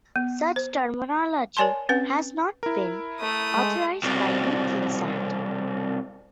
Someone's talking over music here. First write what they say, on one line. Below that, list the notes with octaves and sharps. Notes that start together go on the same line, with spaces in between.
Such terminology has not been authorised by Eutelsat.
B3
C5
A#4 C#5 D5 G#5 A5 C6
C4 C#4 B4 F#5
E4 A#4
A3 D#6
G#3
C2 B2